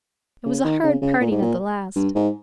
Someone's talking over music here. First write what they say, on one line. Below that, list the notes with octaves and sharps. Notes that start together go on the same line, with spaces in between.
It was a hard parting at the last.
C#3
D#3
C#3
C#3
A#2
G#2
A#2
G2
G#2